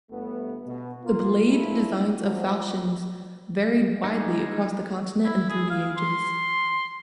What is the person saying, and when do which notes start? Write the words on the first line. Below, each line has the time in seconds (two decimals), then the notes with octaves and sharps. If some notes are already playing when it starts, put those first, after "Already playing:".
The blade designs of falchions varied widely across the continent and through the ages.
0.10 G1 A3 B3
0.66 B2
1.04 A#3 F4
1.47 F#2 A#2 F3 D4 E4
2.21 F3 F#3
4.04 G3 G#3 D#4
5.25 E4
5.49 G#4
5.70 F5
5.97 C6